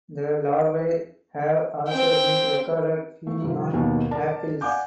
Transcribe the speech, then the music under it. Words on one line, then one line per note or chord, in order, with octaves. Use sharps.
The larvae have also been recorded feeding on apples.
C4 G5
A3
G2 C3 F3
D#2 B2 D#3
A#4 D5 A5
D5 F#5 G#5 D6 G6